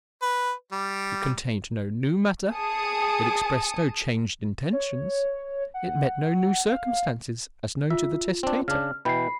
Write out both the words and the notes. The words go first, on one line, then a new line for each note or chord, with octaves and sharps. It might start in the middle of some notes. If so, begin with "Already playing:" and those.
It contained no new matter; it expressed no changed intentions; it met no new circumstances, as known to the testator.
B4
G3
G#4 A5 D#6 C#7
C#5
F#5
F5
F4 E5
C4 D4
C#3 D4 F6
B2 E3 G5 B5 C7